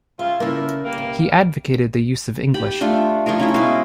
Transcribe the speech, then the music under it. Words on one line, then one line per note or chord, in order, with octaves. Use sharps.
He advocated the use of English.
C#3 F4 E5
A#2 C#3 A3 A#3 E4
G3 A#3
C3
G4 B5
A3 D4 F4
F3 A3 G#4 A#4
C#4 E4 G#4
B2 G#3 E4 F5